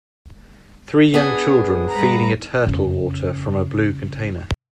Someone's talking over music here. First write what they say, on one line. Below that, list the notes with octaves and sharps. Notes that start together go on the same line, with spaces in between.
Three young children feeding a turtle water from a blue container.
B3 D4 G#4
G2 B4 A#5
F2 C#3